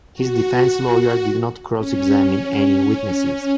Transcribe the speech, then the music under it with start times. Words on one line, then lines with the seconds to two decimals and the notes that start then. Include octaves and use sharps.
His defense lawyer did not cross-examine any witnesses.
0.14 F#4
0.68 F#4
1.77 C#4